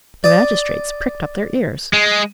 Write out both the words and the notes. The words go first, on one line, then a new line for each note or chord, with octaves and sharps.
The magistrates pricked up their ears.
D5 D#6
G#3